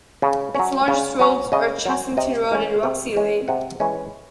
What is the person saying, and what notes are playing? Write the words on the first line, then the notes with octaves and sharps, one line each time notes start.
Its largest roads are Chessington Road and Ruxley Lane.
C#3
F#3 C#4
C#3
F#3 C#4
C#3 D#5
F#3 C#4
C3 D#5
E3 G#3 C#4
C3
E3 G#3 C#4
C3 F#5
E3 G#3 C#4